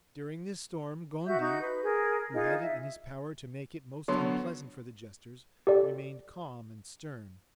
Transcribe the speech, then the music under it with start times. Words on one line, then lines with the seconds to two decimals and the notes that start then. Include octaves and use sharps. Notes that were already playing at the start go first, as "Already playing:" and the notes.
During this storm, Gondy, who had it in his power to make it most unpleasant for the jesters, remained calm and stern.
1.26 F#4 E5 G6
1.40 D#4 F#4 G6
1.60 B4
1.84 G#4 A#4
2.33 D#4 F4 G#4
2.61 E5
4.08 D3 F#3 B3 C#5 C6
5.67 G4 A4 D5